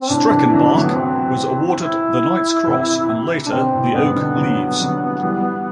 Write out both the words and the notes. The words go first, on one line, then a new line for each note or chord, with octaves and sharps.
Streckenbach was awarded the Knight's Cross, and later the Oak Leaves.
C4
A2 C3 D4
C3 E3
E3
D3 F#3 D4
D3 F#3 A3
B3
C4
E4
C3 E3
D4
B2 D3 C4
A2 C3
G2 B2 B3
B2 D3
D3 F#3
D3 F#3
E3 G3